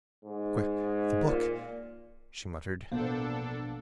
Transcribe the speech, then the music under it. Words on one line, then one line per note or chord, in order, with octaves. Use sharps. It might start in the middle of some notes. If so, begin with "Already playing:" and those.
"Quick--the book," she muttered.
G#2
A#2
A1 B2 F3 A#3 B3 D4 A4 C5